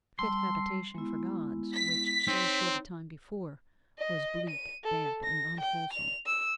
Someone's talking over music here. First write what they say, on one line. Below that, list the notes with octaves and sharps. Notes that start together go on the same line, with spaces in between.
Fit habitation for gods, which, so short a time before, was bleak, damp, and unwholesome.
G3 A5 C6 E6
G#3 B3 E4
B6
C4 D#4 C#5 C6
D#5
D#7
A4
A#6
G5
F7
E6